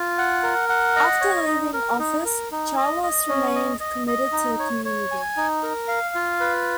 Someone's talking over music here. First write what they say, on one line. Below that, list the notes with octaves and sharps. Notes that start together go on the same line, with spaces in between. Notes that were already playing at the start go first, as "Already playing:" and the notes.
After leaving office, Chalos remained committed to the community.
Already playing: F4
F#5
A#4
F#5
D#5
C#5
D#4
A#4
D#4
A#4
D#4
D#5
D#5
C#4
D#5
D#5
D#5
D#4
C#5
C#5
G#5
D#4
A#4
F5
F4
B4